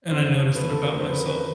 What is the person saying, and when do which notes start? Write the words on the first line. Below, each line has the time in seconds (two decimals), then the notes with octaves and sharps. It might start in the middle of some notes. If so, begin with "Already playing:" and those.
and I noticed that about myself.
0.10 F2 C#3 F3 C5
0.39 C#5
0.48 C5
0.55 F2 C#3 F3 B4
0.70 A4
0.85 A#4
0.99 F2 C#3 F3 C5
1.09 B4
1.20 A#4
1.29 B4